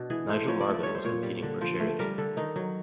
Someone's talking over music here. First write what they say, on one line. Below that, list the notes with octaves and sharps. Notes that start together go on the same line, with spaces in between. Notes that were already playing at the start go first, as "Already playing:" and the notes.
Nigel Marven was competing for charity.
Already playing: B2 D4
E3 G#4
A3 C5
F3 C#5
D5
A3
D5
G3 C#5
C5
A#2 C#5
G3
D3
F3 C5
A3
G3 A#4
D3 A4
D#3 D#4
F#3